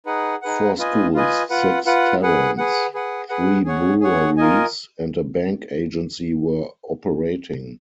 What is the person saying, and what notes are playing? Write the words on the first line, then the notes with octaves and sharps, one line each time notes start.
Four schools, six taverns, three breweries and a bank agency were operating.
D#4 G#4 B4 F#5
D#4 G#4 B4 F#5
F4 B4 D#5 G#5
F4 B4 D#5 G#5
F4 B4 F#5
F4 B4 F#5
G#4 B4 F#5
G#4 B4 F#5
G#4 B4 F#5
G#4 B4 F#5
G#4 C#5 F#5
G#4 C#5 F#5
F4 A#4 D#5 G#5